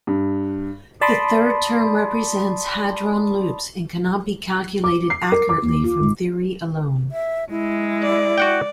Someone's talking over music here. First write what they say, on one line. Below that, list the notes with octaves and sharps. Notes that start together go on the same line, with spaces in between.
The third term represents hadron loops, and cannot be calculated accurately from theory alone.
G2
D5 A5 B5 C6 D6 D#6
D6
C7
A#4
D6
D#2
F4
G#1
E5
G#3 E4
D5
F#4 F#5 G5